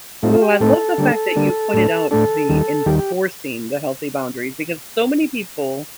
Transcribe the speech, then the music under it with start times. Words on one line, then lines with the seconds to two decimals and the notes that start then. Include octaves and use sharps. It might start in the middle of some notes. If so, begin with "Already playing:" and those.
Ooh, I love the fact that you pointed out the enforcing the healthy boundaries because so many people
0.23 A2 A3 C4 D#4 F4
0.34 F4
0.42 G4
0.60 A2 A3 C4 D#4 A4
0.98 D3 G3 A#3 D4
1.36 D3 G3 A#3 D4
1.74 A2 A3 D4
2.11 A2 A3 D4 A4
2.49 D#2 D#3 G3
2.86 D#2 D#3 G3 G4
2.99 G4